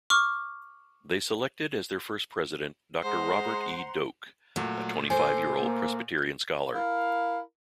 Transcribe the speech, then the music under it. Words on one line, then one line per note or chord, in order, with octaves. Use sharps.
They selected as their first president, Doctor Robert E. Doak, a twenty-five-year-old Presbyterian scholar.
C#6 D6 F6
G#3 C5 F#5 A#5 C6
A#2 F#3 A3
A4 C5 G#5
A#3
E4 A#4 F5